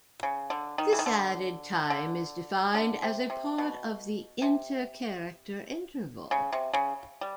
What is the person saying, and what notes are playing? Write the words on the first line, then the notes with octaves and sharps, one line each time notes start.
This added time is defined as a part of the intercharacter interval.
C#3
D3
D#3
E3
D#3
D3
D3
D3
C3
C3
B2
C3
C#3
C3
C#3
G3